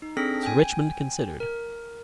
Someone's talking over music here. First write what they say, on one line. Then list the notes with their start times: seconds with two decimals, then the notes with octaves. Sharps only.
Sir Richmond considered.
0.02 D#4
0.17 C4 D4 G#4 A4 A#6 B6
0.43 G5 G#5
1.40 A#4